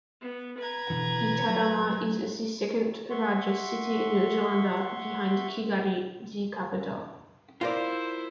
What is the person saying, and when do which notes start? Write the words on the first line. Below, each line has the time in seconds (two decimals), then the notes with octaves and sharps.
Gitarama is the second-largest city in Rwanda, behind Kigali, the capital.
0.21 B3
0.59 B4 A#5 G#6
0.90 B2 D3 E3
1.48 F#3
3.10 E5 F#5 C6 C#6
7.61 E4 F4 A#4 C5 D5